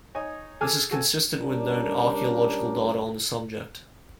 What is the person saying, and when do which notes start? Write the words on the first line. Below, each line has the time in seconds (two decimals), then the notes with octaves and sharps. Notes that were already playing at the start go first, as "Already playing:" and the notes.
This is consistent with known archaeological data on the subject.
0.15 D#4 C#5 G#5 D#6
0.61 G#4 A4 G#5 D6 F6
0.91 F#4 A4 G#5
1.40 G3 C#4 D4 G4 A#4